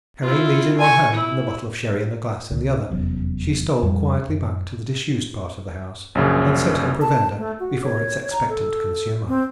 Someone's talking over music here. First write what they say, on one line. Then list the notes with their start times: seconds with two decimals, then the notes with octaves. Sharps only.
Carrying these in one hand, and the bottle of sherry and a glass in the other, she stole quietly back to the disused part of the house, and set her provender before its expectant consumer.
0.22 E4 F4
0.78 G#5 C#6
1.12 E4
2.51 C#2 B2 D3
2.90 F1 E2 F#3 C#4
3.83 F2 G3
4.28 F#2
6.15 A#1 F#2 C#3
7.01 A5
7.38 A3
7.60 F#4
7.83 C#5
8.32 A#5
8.49 A4
9.28 C4